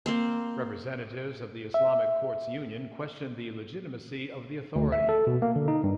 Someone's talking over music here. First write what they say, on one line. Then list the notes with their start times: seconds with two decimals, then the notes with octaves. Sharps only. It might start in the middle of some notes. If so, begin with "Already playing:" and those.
Representatives of the Islamic Courts Union questioned the legitimacy of the authority.
0.06 A#3 C4 C5
1.74 E5
4.76 D2
4.92 E5
5.09 A4
5.27 B2
5.42 A#3
5.56 D3
5.68 D#4
5.84 G2